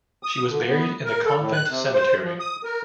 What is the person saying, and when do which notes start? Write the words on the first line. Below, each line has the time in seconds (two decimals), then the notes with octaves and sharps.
She was buried in the convent cemetery.
0.23 D#6
0.49 D3
0.68 B3
1.05 A#4
1.25 A4
1.38 A2
1.53 F#6
1.68 C3
1.94 C5
2.23 F3
2.40 D#6
2.64 A#4